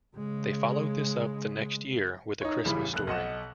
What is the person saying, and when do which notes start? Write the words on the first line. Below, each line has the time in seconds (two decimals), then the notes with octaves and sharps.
They followed this up the next year with "A Christmas Story".
0.17 C#3 G#3
2.41 D#4 C#5
2.65 A1 C#3 E3 G3 B5
2.93 F1 F#6
3.07 B1 D#5 F#5 E7